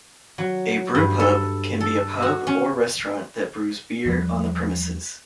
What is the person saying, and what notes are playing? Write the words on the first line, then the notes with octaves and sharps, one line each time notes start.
A brewpub can be a pub or restaurant that brews beer on the premises.
F#3
G2
A4
A4
F#4
C#4
E2 F3 G3